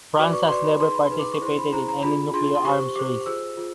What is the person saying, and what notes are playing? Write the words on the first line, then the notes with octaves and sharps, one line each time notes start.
France has never participated in any nuclear arms race.
F#4 B4 D5 D6
C#6
F#4 B4 D5 C6
B5
D#4 G#4 B4 C6
C6
B5
D#4 G#4 B4
D6
C#6
E4 G#4 C5 C6
B5
E4 G#4 C5 A#5
A#5
D4 F4 G#4 B5
D4 F4 G#4 C6
C6
G4 C5 C#6
G4 C5 D6
F4 G#4 C5 E6
F4 G#4